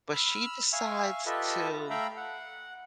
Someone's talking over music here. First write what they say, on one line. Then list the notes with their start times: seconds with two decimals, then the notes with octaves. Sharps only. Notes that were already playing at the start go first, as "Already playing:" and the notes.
But she decides to
0.13 B5 E6 F6
0.73 E5 F5 G#5 C#6
1.26 F4 G4 A4 B4 D#5 E5
1.90 A3 E5 F5 G5 A#5 B5
2.17 F#5